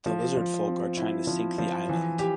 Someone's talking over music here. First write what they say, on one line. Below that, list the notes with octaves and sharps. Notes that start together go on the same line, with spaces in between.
The lizard-folk are trying to sink the island.
F3
F3
C4
E4
F3
F3
E3
G4